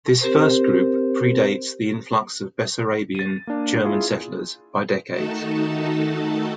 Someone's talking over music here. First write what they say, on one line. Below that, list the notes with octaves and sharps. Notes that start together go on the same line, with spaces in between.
This first group predates the influx of Bessarabian German settlers by decades.
C4 G4 A#4 C5
A6 D#7
A#3 D4
E4 F4 G#4 F5
D#3 A3 D#4 F#4 A4 A5